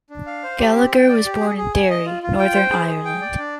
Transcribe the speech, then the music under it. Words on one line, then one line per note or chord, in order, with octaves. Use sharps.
Gallagher was born in Derry, Northern Ireland.
D4
F5
C5
G4
C4
G5
D5
G4
G#4
G#4
G#5
D#5
F4
F4
G5
C5
G#4
G#4
G5
D5
D4